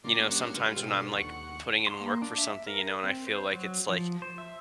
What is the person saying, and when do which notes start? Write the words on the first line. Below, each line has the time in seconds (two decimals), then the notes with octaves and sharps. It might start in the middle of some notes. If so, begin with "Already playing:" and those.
you know, sometimes when I'm, like, putting in work for something, you know, and I feel like it's, like,
0.04 F#2 C#3 A#3 D5 C6
0.29 G2 G3 C#4 F#4 F#5
0.55 G#3 F4 G4 B4
0.76 B2 D3 G4 C5 G5 E6
1.15 D#2 F#5 C#6
1.87 C6
2.00 A#3
2.22 D4
2.38 E5
2.67 A#4
3.04 C4
3.27 C5
3.53 F#3
3.89 F3
4.22 C5
4.38 E5